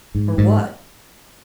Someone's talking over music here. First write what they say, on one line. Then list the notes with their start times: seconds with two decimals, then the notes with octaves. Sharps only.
"For what?"
0.15 G#2
0.38 G#2